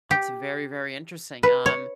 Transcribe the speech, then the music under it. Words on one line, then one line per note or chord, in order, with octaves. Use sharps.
That's very, very interesting, um,
G4
B4
C#5